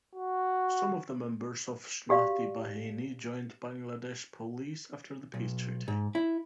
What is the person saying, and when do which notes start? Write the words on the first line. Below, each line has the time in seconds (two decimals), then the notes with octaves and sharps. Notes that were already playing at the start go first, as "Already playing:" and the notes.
Some of the members of Shnati Bahini joined Bangladesh Police after the peace treaty.
0.15 F#4
2.09 F#4 G4 D5 F5
5.34 B1
5.88 G#2
6.15 E4